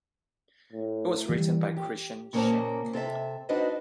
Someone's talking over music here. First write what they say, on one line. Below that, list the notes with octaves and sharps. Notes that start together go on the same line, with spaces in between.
It was written by Christian Schenk.
A2
E3 G3
G4
A#2 C#3 A#3 C#4 C5 A5
C3 A4 A#4 E5
D4 D#4 F#4 B4 C5 D#5